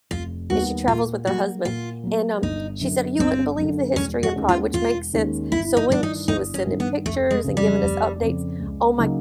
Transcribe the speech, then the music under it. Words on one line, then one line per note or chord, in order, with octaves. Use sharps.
and she travels with her husband, and, um, she said, "You wouldn't believe the history in Prague," which makes sense. So when she was sending pictures and giving us updates, oh my
F1 F4
D#2 D#3 G3 B3 F#4
A#2 F4
F#3 A#3 F#4
A#2 F4
F#3 A#3
G1 D#4
F#2 D3
G1 C4
F#2 D3
E1 C#4
F#4
D#2 D#3 G#3 C#4
F4
E1 F4
D#2 D#3 G#3 C#4
G1 E4
D#4
G2 D#3 D4
D#4
G1 D#4
C#4
G2 D#3
B3
F1 A3
G#3
F2 C#3
G3
F1
F2 C#3
C#2
C#3 F#3 A#3 D#4